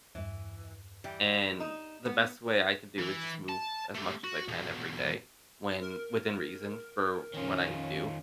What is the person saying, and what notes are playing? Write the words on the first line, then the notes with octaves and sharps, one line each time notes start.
and the best way I can do is just move as much as I can every day when within reason for what I do.
E2 G2 E3
E3 G3
D#4 E7
B3
E3
A5
A3 G4
F#4
B1 E2
A#4
F2 D#3 C#4 F4